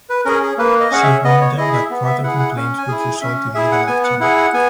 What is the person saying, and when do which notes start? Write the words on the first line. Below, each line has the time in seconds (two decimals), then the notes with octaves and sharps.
She warned them that further complaints would result in legal action.
0.10 B4
0.25 C#4 G#4 A#4
0.43 G#4
0.58 A#3 B4
0.80 D#5
0.91 C#4 G#4 F#5
1.03 E5
1.24 B3 D#5
1.41 C#5
1.58 E4 G#4 D#5
1.73 E5
1.90 B3
2.06 E5
2.24 E4 G#4 F#5
2.39 F#5
2.56 C#4
2.78 G#5
2.88 E4 G#4
3.00 G#5
3.21 C#4 E5
3.55 E4 G#4 E5
3.72 F#5
3.87 B3 G#5
4.04 F#5
4.20 E4 G#4 F#5
4.37 F#5
4.54 B3 G#5